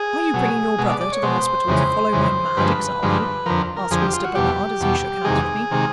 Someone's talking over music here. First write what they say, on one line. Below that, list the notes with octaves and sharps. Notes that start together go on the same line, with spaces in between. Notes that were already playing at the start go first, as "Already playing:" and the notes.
"Are you bringing your brother to the hospital to follow my mad example?" asked Mr. Bernard, as he shook hands with me.
Already playing: G#4
B2 F#3
B2 G#3
D5
D5
C#5
B2 G#3 C5
F2 C#3 E3 G#3
F2 C#3 E3 G#3
G2 D3 F3 G#3 B4
G2 D3 F3 G#3
F2 D3 F3 A#4
A#4
F2 D3 F3 G#4
G4
F4
F#4
E2 B2 G3 G4
E2 B2 G3
E2 C3 D#3 G#3 G#4
C3 D#3 G#3